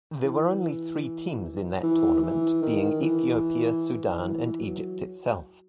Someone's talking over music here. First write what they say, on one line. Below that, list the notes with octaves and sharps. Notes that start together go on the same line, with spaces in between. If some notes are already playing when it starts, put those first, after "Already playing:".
There were only three teams in that tournament, being Ethiopia, Sudan, and Egypt itself.
E3
E3
E3
D#3
E3
E3
F#3